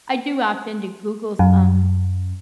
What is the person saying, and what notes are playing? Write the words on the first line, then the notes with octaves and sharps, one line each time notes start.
I do opt into Google's, um,
F#2